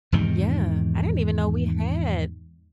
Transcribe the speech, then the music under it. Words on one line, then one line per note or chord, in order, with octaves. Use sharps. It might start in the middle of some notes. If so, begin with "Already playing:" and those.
Yeah. I didn't even know we had
E2 G#2 C3 D#3